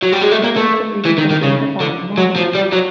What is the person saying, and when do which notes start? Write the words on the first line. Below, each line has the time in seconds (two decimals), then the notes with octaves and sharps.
The first generation contained the following models.
0.02 F#3
0.12 G3
0.21 G#3
0.31 A3
0.44 A#3
0.57 A3
1.05 E3
1.18 D#3
1.30 D#3
1.43 C#3
1.81 D3
2.18 F#3
2.36 F3
2.55 G3
2.72 F#3